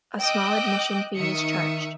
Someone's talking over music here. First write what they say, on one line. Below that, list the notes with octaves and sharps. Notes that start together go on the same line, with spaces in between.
A small admission fee is charged.
D#5 G5 D6 E6 F#6 G6
D#3 E5 D#6 C#7